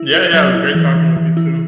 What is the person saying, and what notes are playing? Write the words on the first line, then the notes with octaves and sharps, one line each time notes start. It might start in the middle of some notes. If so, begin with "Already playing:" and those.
Yeah, yeah. It was great talking with you, too.
Already playing: E4
E4
F#3
E4
E3
E3
E3
E4